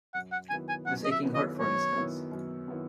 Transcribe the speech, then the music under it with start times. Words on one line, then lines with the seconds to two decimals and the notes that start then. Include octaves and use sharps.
This aching heart, for instance.
0.14 F#2 F#5
0.32 F#5
0.50 D#3 F#3 B3 E4 G#5
0.69 G#5
0.86 F#2 F#5
1.04 D#5
1.11 E5
1.23 D#3 F#3 B3 E4
1.34 D#5
1.59 F#2 C#5
1.95 D#3 F#3 B3 E4
2.31 F#2
2.68 D#3 F#3 B3 E4